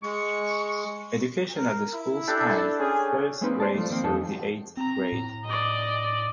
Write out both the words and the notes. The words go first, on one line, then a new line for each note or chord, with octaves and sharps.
Education at the school spanned first grade through the eighth grade.
G#3 C#6
A#4
E4
D4 G4 A4
C#4 G#4
G#3 A#3 C4 D#4 B4 C5
C5 D5 A5
F3 A3
D#3 A#3 C4
F2 D#4 G#4 A4 A5
C4 A#5
A2
D5 D#5